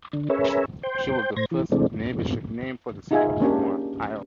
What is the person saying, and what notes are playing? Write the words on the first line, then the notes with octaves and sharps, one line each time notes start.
She was the first Navy ship named for the city of Des Moines, Iowa.
D3
C#4 G#4 A#4 B4 C#5 E5
C5 G5
A2 C5 G#6 A#6
E3
C3 E3 G#3 A3 C4 D4
D#4 F4 G#4 E5 F5 G#5
A#3 C#4 D4 G4